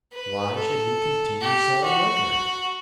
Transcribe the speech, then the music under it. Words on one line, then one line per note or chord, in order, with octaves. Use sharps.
Why should he continue selling liquor?
B4
A4
G4
F#4